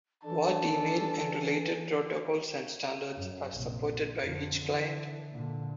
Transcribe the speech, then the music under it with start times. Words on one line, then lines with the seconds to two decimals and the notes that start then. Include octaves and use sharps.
What email and related protocols and standards are supported by each client.
0.24 E3 D4 A4 A5
3.16 F#2
3.54 A#1 C3
4.22 F2 D3
4.63 D3 E3
5.32 A#2 D3